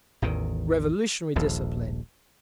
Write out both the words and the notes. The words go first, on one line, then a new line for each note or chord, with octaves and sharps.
Revolutionary discipline!
A1 E2 D#3
D#1 A#1 D#2